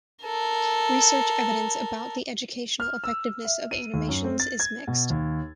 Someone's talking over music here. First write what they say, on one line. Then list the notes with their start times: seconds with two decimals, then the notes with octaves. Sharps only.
Research evidence about the educational effectiveness of animations is mixed.
0.24 A4 A#4
2.80 F6
3.04 E6
3.45 E5
3.71 D#7
3.94 D#2
4.09 F#2
4.24 C4
4.40 A6
4.60 G#6
4.87 B2
5.10 D#2